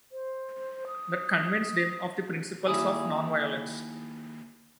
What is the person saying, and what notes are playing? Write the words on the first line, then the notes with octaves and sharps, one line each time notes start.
That convinced him of the principles of nonviolence.
C5
D#6
D#2 E4 G#4